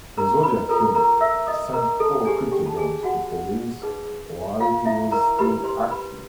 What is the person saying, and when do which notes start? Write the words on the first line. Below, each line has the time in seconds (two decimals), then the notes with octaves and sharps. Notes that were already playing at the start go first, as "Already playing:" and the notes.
The Zodiac Killer sent four cryptograms to police while he was still active.
0.17 A#4 A#5
0.43 B4 B5
0.69 F4 A4 A#4 C5 A#5
0.95 A#4 A#5
1.21 E5 E6
1.47 D#5 D#6
1.73 A#4 A#5
2.00 A4 A5
2.25 D4 G4 G#4 C5 G#5
2.51 G4 G5
2.66 A5
2.77 G#4 G#5
3.03 F#4 F#5
3.82 D#4 G#4 B4
4.60 F4 F5
4.86 E4 E5
5.11 A#4 A#5
5.38 E4 G4 B4 B5
5.64 C5 C6
5.90 B4 B5